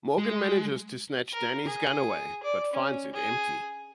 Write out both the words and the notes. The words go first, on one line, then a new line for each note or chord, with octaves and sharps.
Morgan manages to snatch Danny's gun away, but finds it empty.
G#3
A#4
G#4
D5
C#4
G#4